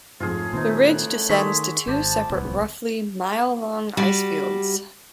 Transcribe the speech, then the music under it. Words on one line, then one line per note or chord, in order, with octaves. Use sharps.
The ridge descends to two separate roughly mile-long icefields.
F2 G#2 C#3 E3 A3 F4 G#4
A#2 D#3 B3 C4 D#4 C6
F#5
D#3 G#3 C#6 E6 B6
G#1 F3 C5 D5 A5
D1 C2 B3
G3 F#4 D5